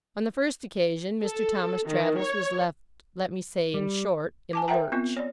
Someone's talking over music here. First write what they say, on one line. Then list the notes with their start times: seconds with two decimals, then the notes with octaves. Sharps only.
On the first occasion Mr. Thomas Traddles was left--let me say, in short, in the lurch.
1.24 A4
1.86 D#3
2.19 C#5
3.74 G3
4.53 G#5 A5 D6
4.68 A#4 C5 E5 F#5 G5 A#5
4.92 B3 C4 F4
5.16 C#5 D5